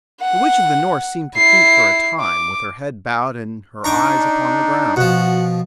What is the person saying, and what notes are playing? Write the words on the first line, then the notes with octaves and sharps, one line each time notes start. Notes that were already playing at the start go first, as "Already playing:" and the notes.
The Witch of the North seemed to think for a time, with her head bowed and her eyes upon the ground.
F#5
E4 C7
D6
D4 D#4 A#5 C#6 D6
B2 F3 F#4 F#5